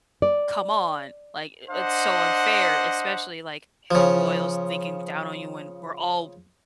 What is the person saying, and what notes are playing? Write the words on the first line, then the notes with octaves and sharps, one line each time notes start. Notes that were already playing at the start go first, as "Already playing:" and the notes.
come on, like, i it's so unfair, especially, like, h the royals thinking down on you when we're all
D5
D4 C5 D#5 F#5
C#3 F3